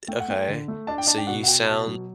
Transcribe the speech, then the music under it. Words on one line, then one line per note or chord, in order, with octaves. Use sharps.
okay. So, you sound
A3 G5
F#5
A3 G5
D3
A3
D4 A5
G5
D4 A5
G5
B2 F#5
F#5
B2 G5
B2 A5
F#3